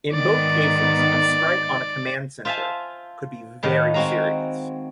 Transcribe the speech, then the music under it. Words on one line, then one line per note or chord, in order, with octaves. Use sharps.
In both cases a strike on a command center could be very serious.
G#2 D#3 B3 D5
F4 C5 E5 F5 G#5 A5
A2 D#3 F5 F#5
G#3 C4 F#4 F5 A#5